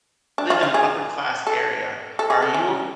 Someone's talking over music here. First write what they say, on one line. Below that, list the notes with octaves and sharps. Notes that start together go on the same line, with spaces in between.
live in an upper-class area, are you
D4
F4
F4
G#4
A4
A4
G#4
A4
C#4